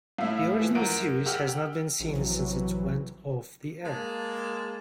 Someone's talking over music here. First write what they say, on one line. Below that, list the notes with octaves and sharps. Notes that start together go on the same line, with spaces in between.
The original series has not been seen since it went off the air.
A2 E4 E5 F5
E3 F3
F#2 F#5 D7
G4 F#5 G5 E6 F6
A#1 C3 E3 F#3
G#3 A#3 A5